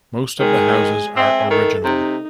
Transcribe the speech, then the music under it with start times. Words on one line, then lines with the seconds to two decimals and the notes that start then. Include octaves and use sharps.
Most of the houses are original.
0.40 D#3 G#3 G#5
1.16 C4 E5 G#5
1.50 D#3 A4
1.84 C3 D#4